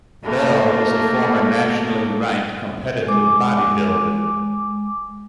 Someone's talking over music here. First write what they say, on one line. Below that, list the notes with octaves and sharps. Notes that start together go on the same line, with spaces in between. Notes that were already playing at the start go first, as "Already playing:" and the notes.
Bell is a former nationally ranked competitive bodybuilder.
A3 A#3
G#3 D6